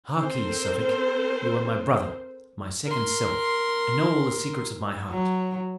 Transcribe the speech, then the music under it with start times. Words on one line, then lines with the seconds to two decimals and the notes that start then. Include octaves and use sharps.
Harkee, Suffolk, you are my brother, my second self, and know all the secrets of my heart.
0.18 C4 A4 A#4 C5
2.86 A#4 C6
5.09 F#3